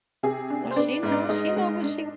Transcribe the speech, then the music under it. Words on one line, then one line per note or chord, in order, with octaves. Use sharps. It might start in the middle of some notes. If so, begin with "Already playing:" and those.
Well, she know she know what she
C3 G#4
D4
C5
B3 D4 D5
G#2
D4 D5
G#3 D#4 D#5
G#3
D4